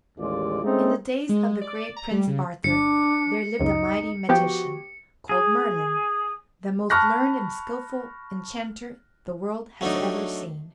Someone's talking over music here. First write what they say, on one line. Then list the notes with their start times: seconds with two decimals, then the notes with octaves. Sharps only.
IN the days of the great Prince Arthur there lived a mighty magician, called Merlin, the most learned and skillful enchanter the world has ever seen.
0.18 A1 D#2 G#3 F4 D5
0.64 G#3 A3 C4 C#4 D#4
1.29 G#3
1.61 D5
1.96 A#5
2.11 G3
2.27 C#3
2.64 G1 D4 C#7
3.60 C#2 F#2 D#4
4.29 F3 B3 F#4 G4
5.29 G#4
6.90 A5 B5 C#6 F6 F#6 A#6
9.81 F#3 A3 D4 D#4